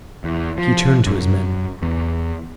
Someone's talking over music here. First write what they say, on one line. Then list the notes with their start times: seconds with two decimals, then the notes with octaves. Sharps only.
He turned to his men.
0.24 E2
0.58 F3
1.07 F#2
1.83 E2